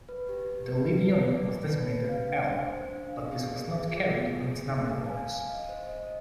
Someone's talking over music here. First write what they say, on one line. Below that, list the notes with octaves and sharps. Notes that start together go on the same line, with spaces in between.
The lead unit was designated 'L', but this was not carried on its numberboards.
B4
G4
G4
B4
B4
B4
D5
D#4
B4
B4
F5
D4
C5
C5
D4
F5
G#4
G#4
G#4
F4
B3
G#4
G#4
D#4
F5
G#5
F5
D#5
C5
D#5